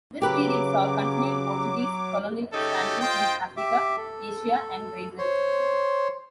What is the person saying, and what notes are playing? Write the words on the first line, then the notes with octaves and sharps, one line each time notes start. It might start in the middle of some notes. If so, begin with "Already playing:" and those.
This period saw continued Portuguese colonial expansion in Africa, Asia and Brazil.
C#3 F#3 G4 B4 D6
C#3 A3 D#4 G4 A4
F4 C5 D#5 G5
G4 E5 D6
A4
C5 C#5 C6